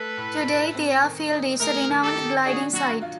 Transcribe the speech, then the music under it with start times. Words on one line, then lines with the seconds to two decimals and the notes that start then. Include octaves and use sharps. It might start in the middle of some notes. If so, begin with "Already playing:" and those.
Today, the airfield is a renowned gliding site.
Already playing: A3 A4 B4
0.17 A2
0.47 A2
0.75 C4
1.03 D#3
1.31 D#4
1.60 A3 G#4 A#4
1.89 D#3
2.02 G4 A4
2.17 D#3
2.45 D4 F#4 G#4
2.73 F#3 F#4
3.02 F4